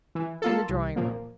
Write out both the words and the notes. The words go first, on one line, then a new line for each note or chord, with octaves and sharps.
In the drawing-room.
E3
A#3 F4 A4
C2
A#2 F3 A#3